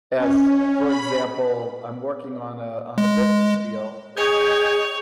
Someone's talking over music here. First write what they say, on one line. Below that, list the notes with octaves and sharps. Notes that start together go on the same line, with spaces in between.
as for example, I'm working on a on a business deal
C#4
B5
G#3
G#4 C#5 D#5 G5 G#5